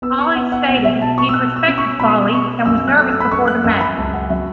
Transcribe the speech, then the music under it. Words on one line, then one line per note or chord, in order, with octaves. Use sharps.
Ali stated he'd respected Folley and was nervous before the match.
B3 E6
C#6
B3 F#5
F#5
B2 F#5
E5
B2 A5
C#6
E6
B2 F#6
E6
C#4
C#6
B2 B5
B2 C#6
F#2 E6
F#6
A3
E6
B5
F#2 C#6
F#6
F#2 E6
B5
C#2 A5
F#5
F#3 E5